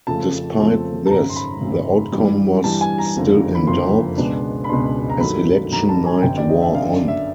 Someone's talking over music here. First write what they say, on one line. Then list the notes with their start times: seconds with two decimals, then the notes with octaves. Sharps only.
Despite this, the outcome was still in doubt as election night wore on.
0.07 F2 C#3 F3 A3 C4 A5
0.59 F2 C#3 F3 A3 C4
1.06 A5
1.10 G#1 F#2 C#3 A#5
1.30 C6
1.36 B5
1.61 G#1 F#2 C#3
2.13 G2 E3 G3
2.64 G2 E3 G3 A5
2.81 G#5
2.98 A#5
3.16 F#1 F2 D3 F3 A#3
3.55 B5
3.67 F#1 F2 D3 F3 A#3 C6
4.17 C#2 B2 G#3 B3 D4
4.64 B5
4.69 C#2 B2 G#3 B3 D4 C6
5.10 A#5
5.20 G2 D#3 F#3 A3 B5
5.71 G2 D#3 F#3 A3 A#5
5.89 A5
6.06 G#5
6.23 G1 F#2 D3 G5
6.38 D5
6.49 D#5
6.62 E5
6.74 G1 F#2 D3 F5
7.08 E5